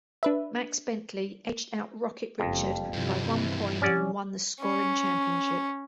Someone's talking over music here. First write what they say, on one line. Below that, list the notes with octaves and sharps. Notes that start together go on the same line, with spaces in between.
Max Bentley edged out Rocket Richard by one point and won the scoring championship.
D4 B4 E5
F#1 F2 G3
G2 C3 E3 F3 G3
F3 C#4 G4 D5 F#5
C#4